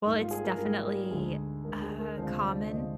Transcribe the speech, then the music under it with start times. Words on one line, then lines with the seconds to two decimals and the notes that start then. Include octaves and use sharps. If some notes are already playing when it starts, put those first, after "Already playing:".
well, it's definitely, uh, common...
0.04 G#2 G3 A#3 D#4
0.18 F4
0.31 G#4
0.44 A#4
0.58 G#2 G3 A#3 A#4
0.84 A#4
1.11 D2 D3 G#3 G#4
1.64 D2 D3 G#3 A#4
1.82 G#4
2.00 A#4
2.17 D2 C3 F3 G#3 C5
2.44 D5
2.71 D2 C3 F3 G#3 D#5